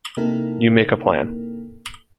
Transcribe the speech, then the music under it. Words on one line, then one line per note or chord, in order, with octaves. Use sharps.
You make a plan.
C3 A#3 D#4 E4 A4 A#4